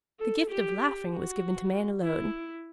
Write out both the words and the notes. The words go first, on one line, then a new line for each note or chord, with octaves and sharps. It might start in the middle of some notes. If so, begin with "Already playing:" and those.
The gift of laughing was given to man alone.
A4
G4
F#4
E4